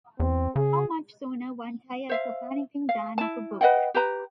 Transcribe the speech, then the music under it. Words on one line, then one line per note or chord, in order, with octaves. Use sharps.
How much sooner one tires of anything than of a book!
E2 C4
C#3 G#4
C5 E5 F5
F5
E4 A5
B4 D#5 F#5 G5
G4 B4 A#5